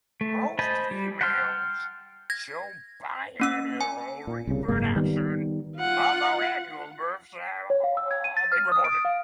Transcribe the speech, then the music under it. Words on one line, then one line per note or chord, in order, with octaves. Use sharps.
Most females show biennial reproduction, although annual births have been reported.
A3
C5 D#5 G#5 A5 B5
G3
F#5 G5 A5 C6 F6
G#6 A#6
A#3 C#4 E6
G#5
A#2
C2 C#3
F#1 G#2 G#3 A#3
D#3 G3 B3
F4 F#5
C#5
F5
E6
G#6
D#7
A6
F6
D#6
D7
F5